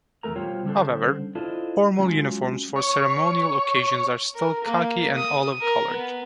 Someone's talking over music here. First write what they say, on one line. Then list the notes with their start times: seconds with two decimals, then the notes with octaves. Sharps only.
However, formal uniforms for ceremonial occasions are still khaki and olive-colored.
0.23 E2 D#3 A3 A#4 A#5
0.36 B2 G3 F4 C5 C#5 G5
0.65 D3 G3 C#4 D4 A4 C5
1.35 D4 E4 F4 A4 C5 D#5
1.99 F#3 G#3 C#4 F4
2.76 C#5
4.35 A#4
4.65 A#3
5.17 D#6
5.61 A#4
5.90 B3